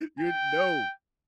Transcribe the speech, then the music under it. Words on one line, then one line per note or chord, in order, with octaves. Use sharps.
you no,
G5